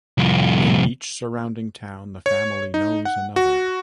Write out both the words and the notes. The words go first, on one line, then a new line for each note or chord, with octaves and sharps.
In each surrounding town, the family knows another.
C2 F2
C#5
D#4
F#5
F#4